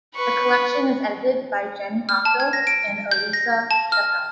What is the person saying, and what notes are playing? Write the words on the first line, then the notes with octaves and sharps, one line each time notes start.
The collection is edited by Jenny Offill and Elissa Schappell.
B4 C#6
F6
A5
G#6
A#6
D7
G6
A#6
A5
F6